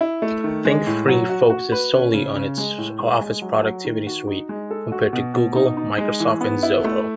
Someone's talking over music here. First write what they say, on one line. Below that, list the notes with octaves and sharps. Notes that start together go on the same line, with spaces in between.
ThinkFree focuses solely on its office productivity suite compared to Google, Microsoft, and Zoho.
E4
A3
D#3
G#3
A2
F#3
F#4
F#4
B4
C#4
C#3
C#3
G#3
A2
G#3
G#3
F#3
F#3
D#3
F#4
D#4
G#3
A4
F#4
B2
B2
D#4
D#4
G#3
E3
B3
E4
A3